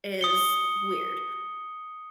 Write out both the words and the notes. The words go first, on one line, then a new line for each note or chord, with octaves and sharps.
is weird,
D#6 C#7 G7